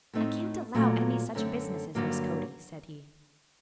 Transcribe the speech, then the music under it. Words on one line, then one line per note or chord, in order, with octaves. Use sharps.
"I can't allow any such business as this, Cody," said he.
A2 A3 C4 D#4
A#2 F#3 A3
F#2 D3 A3 C4
G2 D3 F#3 A#3